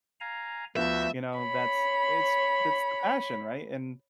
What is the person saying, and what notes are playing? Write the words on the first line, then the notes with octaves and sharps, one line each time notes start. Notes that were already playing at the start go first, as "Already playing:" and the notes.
You know, that's it's that's the passion, right? And,
F5 G#5 A#5
D2 F3 B3 F#4 E5 G6
C#5 B5